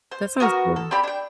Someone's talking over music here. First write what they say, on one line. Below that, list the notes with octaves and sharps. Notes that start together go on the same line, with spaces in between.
That sounds good.
C5
B3 F#4 A#4
A4
C4 G4 D5 B5
D4 G5